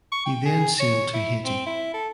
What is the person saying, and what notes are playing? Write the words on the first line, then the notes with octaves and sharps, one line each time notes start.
He then sailed to Haiti.
C#6
G5
G#4
C#5
E4
C4
E4
A4